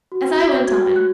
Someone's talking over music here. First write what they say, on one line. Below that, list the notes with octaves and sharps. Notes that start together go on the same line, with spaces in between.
As I went on!
F#4
F#4
C#5
F#4 G#6
F#4
F#6